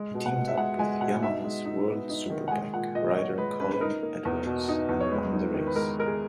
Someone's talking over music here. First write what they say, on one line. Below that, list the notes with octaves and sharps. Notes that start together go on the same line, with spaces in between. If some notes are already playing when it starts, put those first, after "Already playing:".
He teamed up with Yamaha's World Superbike rider Colin Edwards and won the race.
Already playing: G#3
B2
F#5
B2
E5
G#3 F#5
G#3 G#5
B2 F#5
D#4 E5
G#3
D#4
B3
D#4
D#3
F#5
G#3 G#5
A#2 F#5
A#2 D#5
D#5
A#2 C#5
G#3 B4
C#4 B4
B4
D#4 A#4
A#3
E2
B2
D#4
E2
C#5
G#3 B4
D#4
D#3
B4
G#3 A#4
G#3 A#4
G#4